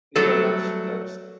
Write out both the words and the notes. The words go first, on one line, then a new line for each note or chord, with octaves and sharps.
Yeah, that's that's
F#3 G3 A3 A4